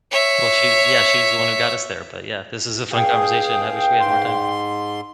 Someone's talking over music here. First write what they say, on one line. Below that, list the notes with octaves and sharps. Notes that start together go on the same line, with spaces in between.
Well, she's yeah, she's the one who got us there, but yeah, this is a fun conversation, I wish we had more time.
C#5 E5
C#2 G#4 F5 G5
G#2 C6